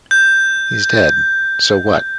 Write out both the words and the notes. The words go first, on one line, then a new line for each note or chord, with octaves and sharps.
He's dead, so what?
G6